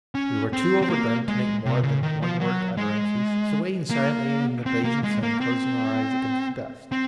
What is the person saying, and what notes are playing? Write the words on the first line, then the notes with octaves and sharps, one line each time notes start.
We were too overdone to make more than one-worded utterances, so waited silently in the blazing sun, closing our eyes against the dust.
C#4
C4
C4
A#3
G#3
C3
C#3
D#3
F3
F#3
G#3
A#3
C4
A#3
G#3
A#3
C4
C4